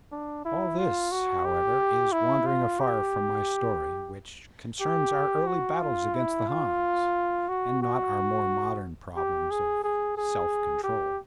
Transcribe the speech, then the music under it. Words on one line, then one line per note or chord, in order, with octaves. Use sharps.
All this, however, is wandering afar from my story, which concerns our early battles against the Hans, and not our more modern problems of self-control.
D4
E4
F4
F#4
G4
E4
F4
G4
G4
F#4
F4
E4
F4
F#4
F#4
G4
G#4
G#4
G#4
G4